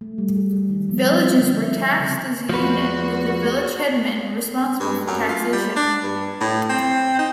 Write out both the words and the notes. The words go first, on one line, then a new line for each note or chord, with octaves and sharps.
Villages were taxed as a unit, with the village headman responsible for taxation.
A3
G3
G#4
G3
D#3
F3
C4
C#4
D3
E5
C#3
E2 F3 F#4 B4
G2
F#2
F4
G3
D4
G2
A2
C4
D#4